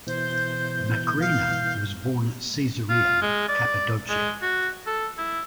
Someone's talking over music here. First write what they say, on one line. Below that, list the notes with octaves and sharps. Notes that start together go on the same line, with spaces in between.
Macrina was born at Caesarea, Cappadocia.
B2 E3 C5 G6
F5
F4
G#3
D5
G#3
F#4
A4
E4